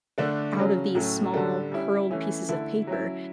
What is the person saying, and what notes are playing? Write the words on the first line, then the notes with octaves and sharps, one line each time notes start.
out of these small, curled pieces of paper.
D3 A3 D4 A4
C#3 F#3 C#4
A2 F#3 A3 C#4
D3 G3 D4 A4
G3 C#4 E4
E3 A3 C#4 E4
D3 A3 E4 A4
F#3 C#4 E4